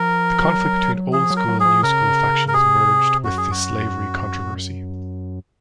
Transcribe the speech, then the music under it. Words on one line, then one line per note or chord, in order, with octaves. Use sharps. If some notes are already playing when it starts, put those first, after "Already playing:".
The conflict between Old School and New School factions merged with the slavery controversy.
Already playing: F3 A#4
F#3
F3 G#4
F#3
A#4
F#3
G#4
F3
C#3 A#4
A#4
C3 G#4
F#2 F#4
G#4
F#4